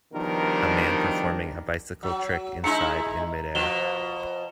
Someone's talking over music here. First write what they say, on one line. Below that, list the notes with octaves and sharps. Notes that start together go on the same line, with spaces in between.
A man performing a bicycle trick inside in midair.
B2 D#3 F3 G3 D4 A#4
F#3
G#3 D#4 E4 A#5 C#7
B2 F3 E7 F7 G7